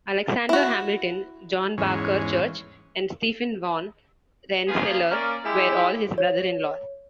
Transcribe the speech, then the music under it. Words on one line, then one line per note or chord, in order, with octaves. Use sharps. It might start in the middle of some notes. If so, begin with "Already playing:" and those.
Alexander Hamilton, John Barker Church, and Stephen Van Rensselaer were all his brothers-in-law.
E4 F#4
E2 G#2 C#4
C#3 F3 A#3 B3 F4 G#4
A#3 C#4 D5
G#3 E4 G4
C#5